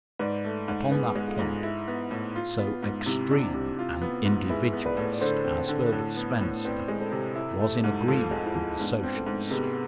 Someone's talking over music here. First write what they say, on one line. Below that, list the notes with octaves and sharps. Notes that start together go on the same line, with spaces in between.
Upon that point so extreme an individualist as Herbert Spencer was in agreement with the Socialist.
G#2 B4 D5
A3
G#2
B3 G#4 B4
G#3
F4 A4
G#2
E4
B3
A2
F4
B3
G#2
C3 C4 E4
D4
C3
F4
B3
G#2
E4 G#4 B4
B3
B4 D5
A2
D5
D3 A4 C5
C4
D3
A2
B3
A2
C4 B4 D5
G#3
A4 C5
C3
E4
A3
G#2
F2 F4 A4
G#3
E4 G#4
F2
G#2 B3 D4
C4
A3
G#2
C3 G#3 B3